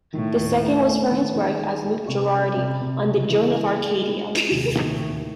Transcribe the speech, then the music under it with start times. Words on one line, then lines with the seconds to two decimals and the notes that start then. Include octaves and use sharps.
The second was for his work as Luke Girardi on the "Joan of Arcadia".
0.14 A2 D#3
0.38 D#2
0.63 A3
0.87 A3
1.11 D#3
1.36 D#3
1.59 G#3
1.84 G#3
2.08 C3
2.33 C#4
2.57 C3
2.81 C3
3.05 C#3 G#3
3.29 E3
3.54 G#3
3.78 G#3
4.03 G#3
4.26 G#3
4.51 D#2 C3
4.75 D#3
4.87 A2
4.99 D#2